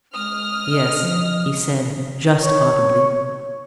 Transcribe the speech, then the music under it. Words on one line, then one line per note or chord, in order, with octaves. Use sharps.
"Yes," he said, just audibly.
G#3 D#6 F6
D#5
F3
C#5